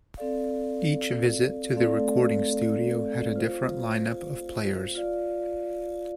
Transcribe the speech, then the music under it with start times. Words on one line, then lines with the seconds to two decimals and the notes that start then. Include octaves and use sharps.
Each visit to the recording studio had a different line-up of players.
0.17 C4 A4 D5 F5
1.76 A3 C4 A4 D5 F5
3.36 F4 C5 F5
4.95 F4 D5 F5